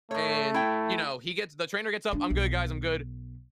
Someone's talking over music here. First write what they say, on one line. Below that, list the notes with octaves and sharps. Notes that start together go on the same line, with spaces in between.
And, you know, he gets the trainer gets up, "I'm good, guys, I'm good."
A2 A3 C#5
E4 G5
D4
B1